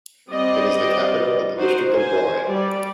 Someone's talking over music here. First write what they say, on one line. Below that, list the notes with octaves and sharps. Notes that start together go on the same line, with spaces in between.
It is the capital of the district of Broye.
G3 C4 D5 D#5
D#4 F#4 C5
C5 G#5
G3 D5